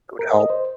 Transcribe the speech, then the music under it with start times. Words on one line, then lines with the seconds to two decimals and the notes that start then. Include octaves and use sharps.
it would help.
0.19 A#4
0.35 D#5
0.50 C5